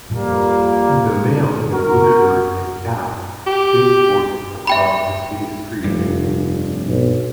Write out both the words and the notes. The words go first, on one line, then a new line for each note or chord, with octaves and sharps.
The male in a blue shirt and cap skateboards across a city street.
F2 G3 A#3
F#4 A#4
G4
E5 G5 B5
F1 G2
B1